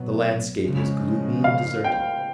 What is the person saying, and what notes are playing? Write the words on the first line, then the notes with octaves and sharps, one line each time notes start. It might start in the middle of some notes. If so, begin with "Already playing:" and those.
The landscape was gloomy and deserted.
Already playing: B2 F#3 B3
C#3 F3 G#3
F5
G5